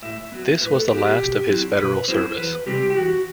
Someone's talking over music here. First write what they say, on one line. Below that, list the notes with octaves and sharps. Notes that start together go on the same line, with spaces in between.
This was the last of his federal service.
A2 E5
F#3 B3
A2 B4
A4
F#3 B3 G4
G4
B2
F#3 C4 E4
B2 B4
F#3 C4 E4 C5
E2 B4
C3 G3 C4 G4
G4
E2 F#4